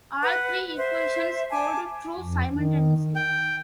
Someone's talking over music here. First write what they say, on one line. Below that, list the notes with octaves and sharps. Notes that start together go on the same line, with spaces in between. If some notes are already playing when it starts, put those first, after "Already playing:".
All three equations hold true simultaneously.
B4 F#5
C5 E5
G#5 A5 D6
F2
D#3
G5